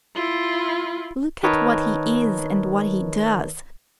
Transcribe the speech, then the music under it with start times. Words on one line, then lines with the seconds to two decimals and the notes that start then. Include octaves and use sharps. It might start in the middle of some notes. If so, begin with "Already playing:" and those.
Look at what he is and what he does!
0.15 E4 F4
1.43 D#3 A#4 B4 C#5 D#5 A5